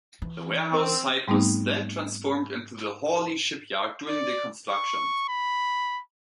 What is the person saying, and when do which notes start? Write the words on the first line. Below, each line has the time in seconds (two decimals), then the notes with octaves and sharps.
The warehouse site was then transformed into the Hawley Shipyard during the construction.
0.22 E3
0.74 C4 A#4 E6
1.28 G#2 G3 A3 B3 C4 D#4
4.09 D5
4.70 C#6
5.28 B5